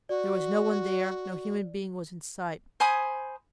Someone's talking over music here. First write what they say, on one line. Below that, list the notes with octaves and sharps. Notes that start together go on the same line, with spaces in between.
There was no one there; no human being was in sight.
F#4 D5
C5 G#5 B5 D#6